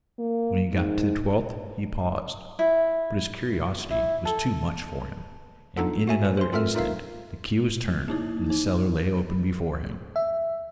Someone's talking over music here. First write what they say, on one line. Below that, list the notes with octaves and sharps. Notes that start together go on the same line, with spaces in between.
When he got to the twelfth he paused, but his curiosity was too much for him, and in another instant the key was turned and the cellar lay open before him.
A#3
G#2
E4
E4
A4
B3 D4 D#4 F4 A4 F#5
F#4 E5 G#5
B4
C5 C6
C4 F4 A4 A#4 E5 F6
D#4 F4 A#4 E5 F5
A#3 D#4 E4
D#4
E5